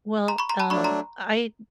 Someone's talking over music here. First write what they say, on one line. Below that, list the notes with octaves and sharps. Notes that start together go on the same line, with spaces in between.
Well, um, I
A#5 C6
B5 C#6
A#5 C6
A5 B5
F#3 A3 D4 B5 C#6
A#5 C6